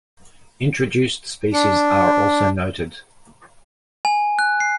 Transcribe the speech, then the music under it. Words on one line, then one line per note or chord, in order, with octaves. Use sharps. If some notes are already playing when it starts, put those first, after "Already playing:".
Introduced species are also noted.
D4
G#5
F#6
C7